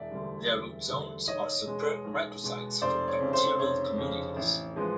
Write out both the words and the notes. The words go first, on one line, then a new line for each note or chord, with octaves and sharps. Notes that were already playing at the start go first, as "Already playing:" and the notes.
Their root zones are superb micro-sites for bacterial communities.
Already playing: E1 D5 E5
D2 D3 G3
E1
D2 D3 G3
B1 C#5 D#5
B2 G#3
B1
B2 G#3
F1 C5 D5
C#5
F2 C#3
C5
F1 C#5
F2 C#3
A1
F3 G#3 B3